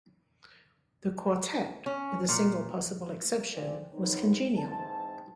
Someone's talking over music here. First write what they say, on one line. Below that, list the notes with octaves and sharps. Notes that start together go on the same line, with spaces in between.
The quartet, with a single possible exception, was congenial.
C#4
A#2
C4 F4 G#4 A4 D5
D#3 G#3 B3 C4 D#4 C#5
G#2 E3 C4 A5